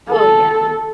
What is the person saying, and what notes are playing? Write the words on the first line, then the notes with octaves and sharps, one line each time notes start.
Oh, yeah.
A4